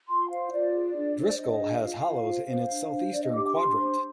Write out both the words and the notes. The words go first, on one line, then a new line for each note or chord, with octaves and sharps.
Driscoll has hollows in its southeastern quadrant.
F4 C6
C5 F5
F4 D5
G#4
D4
C5
D4 D#5
G#4
F4 F5
F4
C5
C5
D4
C5
D4 D5
D#5
G4 D6
D6
D4 C6
C5